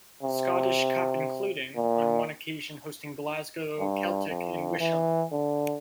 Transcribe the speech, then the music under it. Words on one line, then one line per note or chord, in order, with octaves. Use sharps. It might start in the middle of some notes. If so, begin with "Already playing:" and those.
Scottish Cup including, on one occasion hosting Glasgow Celtic in Wishaw.
C3
A#2
G2
F2
E3
D3